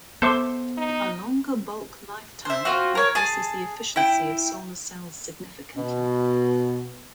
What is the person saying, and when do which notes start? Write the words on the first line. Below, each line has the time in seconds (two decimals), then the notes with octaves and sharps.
A longer bulk lifetime increases the efficiency of solar cells significantly.
0.22 B3 A4 C5 E5 C6 D6 G6
0.77 D#4
2.45 C5 E5
2.65 C4 F4 F#4
2.95 A#4 C#5
3.15 G#4 A5
3.96 E4 G5
5.76 B2